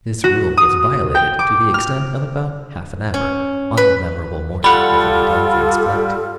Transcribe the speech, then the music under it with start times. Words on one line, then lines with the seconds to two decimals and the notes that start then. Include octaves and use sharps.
This rule was violated to the extent of about half an hour on the memorable morning of Lady Dunfern's flight.
0.24 F#4
0.57 D#6
1.15 G5
1.39 D6
1.74 F6
3.14 C#4
3.77 B4
4.64 G3 F4 A4 F#5 B5